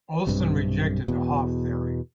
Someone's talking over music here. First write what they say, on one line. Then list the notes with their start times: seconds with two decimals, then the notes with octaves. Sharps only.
Olsen rejected the hof theory.
0.27 B1 G2 C3
1.08 E2 B2